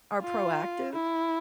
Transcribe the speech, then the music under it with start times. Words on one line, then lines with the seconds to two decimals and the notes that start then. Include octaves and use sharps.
are proactive
0.22 F4
0.93 E4